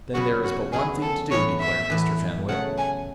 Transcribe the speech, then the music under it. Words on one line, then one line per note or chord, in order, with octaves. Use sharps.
"Then there is but one thing to do," declared Mr. Fenwick.
C#3 F#3 B3 F#4
F#4
C#3 F#3 B3 G#4
A4
A2 E3 B3 C#5
E5
A2 E3 B3
C#3 F#3 A3 F#5
G#5